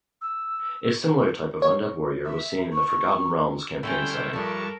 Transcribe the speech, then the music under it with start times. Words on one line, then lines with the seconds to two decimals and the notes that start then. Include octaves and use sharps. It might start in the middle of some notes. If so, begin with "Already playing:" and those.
A similar type of undead warrior was seen in the "Forgotten Realms" campaign setting.
0.21 E6
1.62 C#5
2.25 E5
2.73 C#6
3.83 D3 G3 A3 C#4 E4 F4 A4 G5
4.33 G2 F3 G3 A4 A#4 A5 C#6